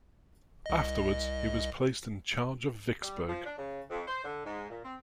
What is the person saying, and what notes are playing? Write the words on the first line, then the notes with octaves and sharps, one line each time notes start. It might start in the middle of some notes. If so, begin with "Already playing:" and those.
Afterwards he was placed in charge of Vicksburg.
C2 D#5
G3
F3
D4
C#3
F2
C5
D3
G#2
A#2
C4